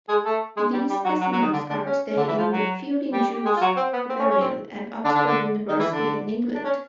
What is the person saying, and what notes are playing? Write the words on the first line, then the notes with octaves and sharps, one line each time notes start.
These specimens are today in the Fielding-Druce Herbarium at Oxford University in England.
G#3 G#4
A3 A4
G#3 G#4
G3 G4
G3 G4
F#3 F#4
F#3 F#4
F#3 F#4
D#3 D#4
D3 D4
D3 D4
C#4
C#4
D3 D4
E3 E4
F3 F4
F#3 F#4
G3 G4
G4
G#3 G#4
F4
F#3 F#4
C4
B3
C4
C#4
C#4
C4
D3 D4
D3 D4
D3 D4
D#3 D#4
E3 E4
D3 D4
D4
C#4